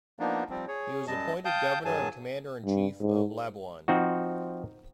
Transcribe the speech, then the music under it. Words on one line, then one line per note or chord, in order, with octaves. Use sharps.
He was appointed governor and commander-in-chief of Labuan.
F3 A#3 B3 D4 D#4
F3 G3 C4
G#4 C#5
F#2 G3 D#5 A5
F5 G5 A5 D#6 G6
G2 D#3 F#3 G#4 G#5 A5
G2
G#2
F3 C4 D#4 F#4